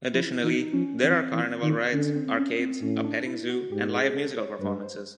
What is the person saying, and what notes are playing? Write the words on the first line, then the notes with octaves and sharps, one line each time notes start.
Additionally, there are carnival rides, arcades, a petting zoo, and live musical performances.
F3 E4
E3 D#4
F3 C#4
E3 C4
E3
D#3
D3 C#4
C4
C4
C#4
C4
A2 C#4
D4
E4
F#4
G#2 G4
G#4
A4
C#5
G2 B4
C5